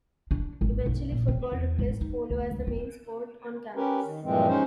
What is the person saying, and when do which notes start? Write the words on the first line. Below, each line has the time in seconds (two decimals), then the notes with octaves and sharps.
Eventually, football replaced polo as the main sport on campus.
0.31 D4
0.61 G#1
0.86 B1
1.12 A#2
1.28 C4
1.52 E2
1.79 G#1
2.01 D#4
2.30 D2
2.51 C#2
2.67 C4
3.76 C#4 G4 A#4 B4
4.04 D#3
4.24 G2 A#2 E3 F3 G#3 C4
4.48 G#3 C#4 D#4 C5